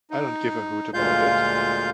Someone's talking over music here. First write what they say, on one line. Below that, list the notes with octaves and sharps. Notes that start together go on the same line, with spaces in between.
I don't give a hoot about it.
D#4
D2 A#2 G#3 F4 F5 G6